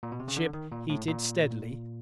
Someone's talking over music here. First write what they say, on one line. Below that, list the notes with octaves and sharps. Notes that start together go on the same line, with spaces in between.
The ship heated steadily.
A#2
B2
C3
C#3
D3
D#3
A#2
A2
A#2